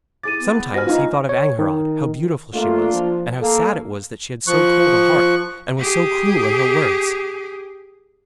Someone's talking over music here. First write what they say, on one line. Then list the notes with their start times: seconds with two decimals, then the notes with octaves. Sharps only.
Sometimes he thought of Angharad, how beautiful she was, and how sad it was that she had so cold a heart, and was so cruel in her words.
0.23 E4 G#4 D6 A6 D#7
0.39 B3
0.74 F#4 B4 G#5 F6 A#6
0.87 D#4 F4
1.29 C#5
1.59 D#3
2.54 A3 A#3 D4 F4
2.93 F3
3.41 A#3 A4
4.47 F3 C#6 F#6
5.78 G4 G#4